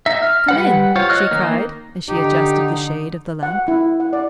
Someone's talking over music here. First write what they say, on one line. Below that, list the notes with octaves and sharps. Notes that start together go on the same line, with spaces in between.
"Come in!" she cried, as she adjusted the shade of the lamp.
D#4 E5
F6
G3 B4 F#5
F4 C5 C#5
C#5 D#5 F6 F#6
D#3 A#3 D#4
D3 D#4 G4
F#5
E4
F#5
D5